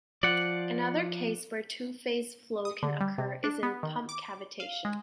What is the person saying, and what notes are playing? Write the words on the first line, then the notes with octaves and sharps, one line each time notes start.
Another case where two-phase flow can occur is in pump cavitation.
F3 D5 F#5
D#6
D3
G3
C3
D4
B3
D#3
D6
F5
G#3